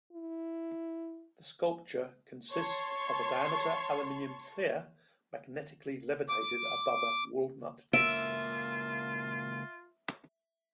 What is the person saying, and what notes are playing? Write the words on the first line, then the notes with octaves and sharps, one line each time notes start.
The sculpture consists of an diameter aluminum sphere magnetically levitated above a walnut disc.
E4
C#5 A5 C6 C#6
D6
C#2 A#3 F4 E5 D7